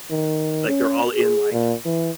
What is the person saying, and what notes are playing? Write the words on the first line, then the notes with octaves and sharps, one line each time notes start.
like, they're all in, like,
D#3
C#4
G#4
A#2
E3